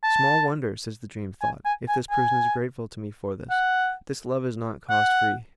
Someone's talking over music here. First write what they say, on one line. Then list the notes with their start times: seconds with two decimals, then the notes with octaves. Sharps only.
Small wonder, says the dream thought, if this person is grateful to me for this--this love is not cost-free.
0.04 A5
1.42 G#5
1.66 G#5
1.89 G#5
2.11 G#5
3.51 F#5
4.90 F#5